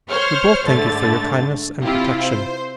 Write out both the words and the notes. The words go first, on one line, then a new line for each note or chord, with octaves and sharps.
We both thank you for your kindness and protection.
C5 C#5 C#6 F6
G#2 D3 A3 A6
C3 E4 F4 G4
C5